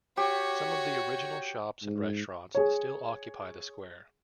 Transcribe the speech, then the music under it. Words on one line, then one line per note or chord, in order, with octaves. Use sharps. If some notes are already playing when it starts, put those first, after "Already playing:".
Some of the original shops and restaurants still occupy the square.
F#4 G4 C#5
G#2
G#4 C#5